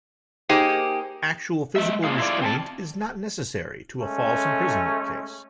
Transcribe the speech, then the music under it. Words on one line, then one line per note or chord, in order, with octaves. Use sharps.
Actual physical restraint is not necessary to a false imprisonment case.
A#3 D#4 G4 G#4 C5
G#3 E5
A#3 D4 F4 G#4 F5
E4 F4 B4 D5
C4 G#5 A5
G#3 A3 C#4